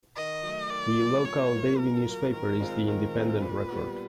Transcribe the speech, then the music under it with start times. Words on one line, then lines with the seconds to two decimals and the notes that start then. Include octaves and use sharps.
The local daily newspaper is the "Independent Record".
0.16 D#3 D#5
0.43 F#3 A3
0.70 D#3 D5
0.98 F#3 A3
1.25 A#2 C#5
1.52 F#3 A#3
1.79 A#2 A#4
2.06 F#3 A#3
2.33 D#3 A#4
2.60 G#3 C4 F4
2.87 D#3 A#4
3.14 G#3 C4 F4
3.41 A#2 B4
3.69 G3 B3